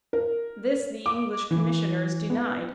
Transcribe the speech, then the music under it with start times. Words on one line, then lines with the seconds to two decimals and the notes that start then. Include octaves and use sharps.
This the English Commissioners denied.
0.13 A#4
1.06 D6
1.51 E3
2.30 B3